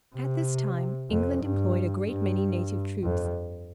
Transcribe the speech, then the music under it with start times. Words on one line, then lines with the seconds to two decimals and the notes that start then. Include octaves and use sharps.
At this time England employed a great many native troops.
0.15 C3
1.10 F2
1.42 G2
2.07 G2
3.04 F2